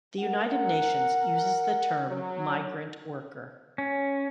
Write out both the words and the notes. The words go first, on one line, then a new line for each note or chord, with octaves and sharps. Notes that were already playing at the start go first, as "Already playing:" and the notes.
The United Nations uses the term migrant worker.
A#4 F#5
F#3
C#4